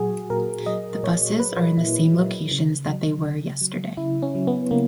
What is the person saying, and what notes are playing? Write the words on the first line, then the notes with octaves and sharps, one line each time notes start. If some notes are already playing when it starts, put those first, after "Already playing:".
The buses are in the same locations that they were yesterday.
Already playing: A#2 F#3 F#4 G#4
A#2 A#4
F#3 D#5
A#2 C#5
F#3 B4
A#2 E4
F#3
C#3
F#3
C#3
F#3
C#3 E4
C#4
F#3
B3
C#3 A#3